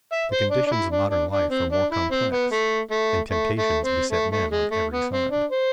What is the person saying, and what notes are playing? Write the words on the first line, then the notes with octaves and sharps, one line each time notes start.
But the conditions of modern life are more complex, and temptations beset men on every side.
E5
C5
D4
D4
E4
D4
D4
D4
C4
D4
E4
C4
B3
A3
A3
A3
A3
C4
A3
A3
G#3
A3
B3
C4
D4
C5